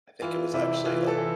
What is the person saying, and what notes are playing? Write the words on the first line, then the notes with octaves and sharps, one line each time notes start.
I think it was actually, like
E3 F4
C3 E4
E3 F4
A4
E3